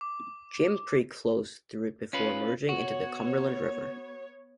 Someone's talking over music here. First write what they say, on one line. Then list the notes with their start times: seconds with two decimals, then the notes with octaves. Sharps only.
Jim Creek flows through it before merging into the Cumberland River.
0.01 D6
2.13 C#4 F4 B4
2.69 B3 F#4 C#5